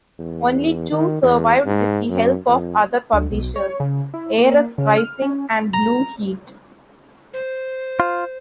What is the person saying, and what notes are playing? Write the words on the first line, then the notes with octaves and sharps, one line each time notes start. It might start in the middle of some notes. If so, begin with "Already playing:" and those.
Only two survived with the help of other publishers: "Ares Rising" and "Blue Heat".
E2
D#3
E2
G#2
F#2
F2
D2
B1
C#5
C#3
E4
A#3
C#3
F6
C#4
A#5
C5
F4